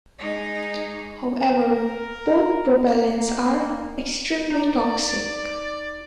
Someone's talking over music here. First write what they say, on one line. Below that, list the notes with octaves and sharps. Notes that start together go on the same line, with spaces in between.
However, both propellants are extremely toxic.
G#3 D#4
A#4
A#3
D#4 D5